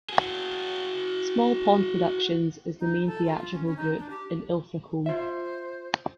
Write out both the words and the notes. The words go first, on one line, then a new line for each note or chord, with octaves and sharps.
Small Pond Productions is the main theatrical group in Ilfracombe.
F#4 G#4
D#4
A4
F4
F4
C#4
C#4
D#4
D4
G4
F4 C5 E5